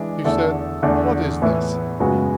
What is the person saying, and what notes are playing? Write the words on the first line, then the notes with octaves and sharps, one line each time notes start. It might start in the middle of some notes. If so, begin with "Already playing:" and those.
He said: 'What is this?
Already playing: E3 G#3 D4
E2 D3 A3 E4 A4
E2 D3 A3 D4
A2 E3 B3 E4
F#2 C#3 G#3 B3 F#4